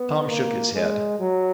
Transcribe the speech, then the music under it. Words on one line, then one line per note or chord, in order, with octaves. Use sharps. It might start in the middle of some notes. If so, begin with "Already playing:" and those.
Tom shook his head.
Already playing: B3
A#3
G#3
F#3